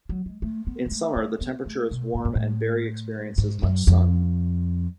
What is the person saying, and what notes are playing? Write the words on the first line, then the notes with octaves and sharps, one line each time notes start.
In summer, the temperature is warm and Bury experiences much sun.
F#3
G#3
A3
B3
G#3
A3
A3
B3
A3
B2
A2
G#2
A2
G#2
F#2
F2